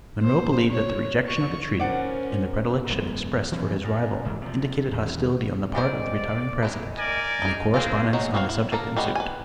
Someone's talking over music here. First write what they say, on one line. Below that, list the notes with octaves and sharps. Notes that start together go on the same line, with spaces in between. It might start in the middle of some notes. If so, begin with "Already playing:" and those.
Monroe believed that the rejection of the treaty and the predilection expressed for his rival indicated hostility on the part of the retiring President, and a correspondence on the subject ensued.
C5
C#5
C#6
C#4 A#4 C5 D5 F#5
E1 F#2 G#3 B3
E3 F#3 B3 C#4
F#2
F#1 G#2 E3
C3 F3
D#1 E2
D#3 G#3 C5 D5
D#3 G#3 E4
A#4 D5 G#5
D#4 G#4
G#3 A#3 C4 C#4 F4
F#3 G#3 D#4 G#4
B3 C4 F#4 C5 F5
E4
A#3 A4 A#4
G3 G#3 B3 C#4
B4 G#5